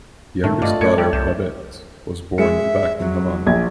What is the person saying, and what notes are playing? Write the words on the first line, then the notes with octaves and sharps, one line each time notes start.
Youngest daughter Babette was born back in Havana.
A2 D#3 A3
G2 A3 F4 D5 D#5
F#2 G#6 C#7
G3 G5
C2 G6 E7
G#3 E5 C#7
F#3
A#1 G#6